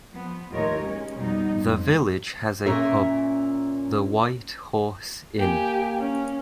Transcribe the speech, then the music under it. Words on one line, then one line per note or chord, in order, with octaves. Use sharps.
The village has a pub, the "White Horse Inn".
F3 B3
D#2 A2 F4 A#4 C#5 D#5
G#3 C#4
F2 B2 G3 B3 D#4
F2 G#2
A#2 C#4 A#4 E5
A#3 G4 G#5
C#4